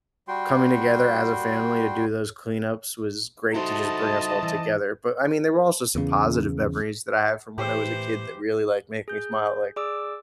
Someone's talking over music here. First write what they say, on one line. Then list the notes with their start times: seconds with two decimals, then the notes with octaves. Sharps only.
coming together as a family to do those cleanups was great to just bring us all together, but I mean, there were also some positive memories that I have from when I was a kid, that really like make me smile. Like
0.28 G3 F#4 G5 C6
3.54 D#4 E4 F#4 A4 C5 D#5 A5
4.43 E3
5.95 E2 C#3
7.58 A2 E3 G4 C5
9.08 G#4 G6
9.76 G#4 D5 D6 E6